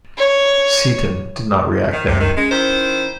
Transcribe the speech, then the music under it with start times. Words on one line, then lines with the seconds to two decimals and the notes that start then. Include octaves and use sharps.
Seton did not react then.
0.18 C#5
1.93 D#3
2.08 C#2 F#2 C3
2.20 C3 D#3
2.37 G#3 C#4
2.51 D#3 E4 C5